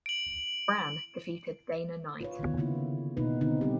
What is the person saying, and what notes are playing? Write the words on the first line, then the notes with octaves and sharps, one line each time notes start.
Brann defeated Dana Knight.
D7 F#7
F4 B4 C#5
D3 D#3 B3
C#3 A#3 E4 F4
B2 A#3 B3 D#4 B4
D3 E3 B3 C4 D#4
G3 C4 G4